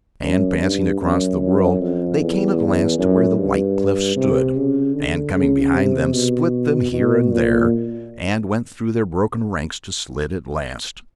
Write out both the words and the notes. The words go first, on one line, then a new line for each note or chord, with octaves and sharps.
And passing across the world they came at last to where the white cliffs stood, and, coming behind them, split them here and there and went through their broken ranks to Slid at last.
F#2
G2
F#2
F#2
F2
E2
F#2
G2
C3
C#3
D3
C#3
C3
B2
B2
A#2